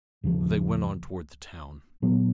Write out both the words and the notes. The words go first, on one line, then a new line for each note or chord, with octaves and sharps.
They went on toward the town.
D#2 C#3 F3
A#2 F#3 B3